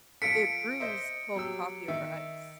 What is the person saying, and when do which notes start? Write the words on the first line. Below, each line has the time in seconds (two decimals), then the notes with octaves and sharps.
it brews cold coffee over ice.
0.22 F3 F4 A4 B6 C#7 D7
0.80 C5 D#5 E5
1.35 F#3 G4 E6
1.88 D#3 E5